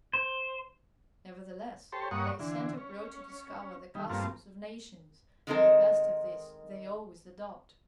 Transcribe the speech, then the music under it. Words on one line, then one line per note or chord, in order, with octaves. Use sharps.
Nevertheless, they send abroad to discover the customs of nations, and the best of these they always adopt.
C5
G4 A4 C5 C#5
G2 A#3 C#5 F#5 C#6 D#6
D3 E3
C#4
D#3 G3
G2 A3 A#3 C4 F4
D#3 G#3 C4 D#4 A4 A#4